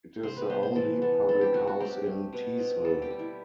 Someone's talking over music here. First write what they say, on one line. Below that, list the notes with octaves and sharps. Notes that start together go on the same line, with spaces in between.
It is the only public house in Teesville.
C3 C5
B4
B3 C5
C5
E3 A4
B3 A4
C4 A4
G4
A3 F#4
F#4
C4 G4
A3
B2
C4
G3 A4
G4
G3
E4